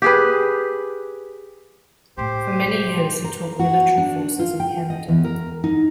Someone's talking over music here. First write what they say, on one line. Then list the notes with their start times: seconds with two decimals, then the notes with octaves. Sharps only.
For many years, he taught military forces in Canada.
0.02 G4 G#4 B4
2.17 A2 C3 G4 C5
3.24 A#4
3.59 F#4
3.98 D4
4.39 F4
4.60 G5
4.90 D#5
5.08 E2
5.24 A#4
5.64 D#4